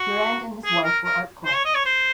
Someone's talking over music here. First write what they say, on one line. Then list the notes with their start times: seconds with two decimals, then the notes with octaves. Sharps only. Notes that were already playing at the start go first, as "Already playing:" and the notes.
Durand and his wife were art collectors.
Already playing: F#4
0.65 G#4
0.84 A#4
1.04 A#4
1.45 C5
1.55 C#5
1.65 D#5
1.75 C#5
1.86 C5